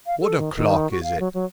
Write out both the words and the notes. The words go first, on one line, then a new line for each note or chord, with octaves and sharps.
"What o'clock is it?"
F5
A4
D#3
D#3
F#4
F5
F#3
F#3